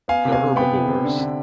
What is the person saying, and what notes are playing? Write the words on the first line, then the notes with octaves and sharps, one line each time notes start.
they're herbivores,
B3 F5 G#5
C3
F5 G#5
C3
B3 G5 B5
C3
C3
D3
D3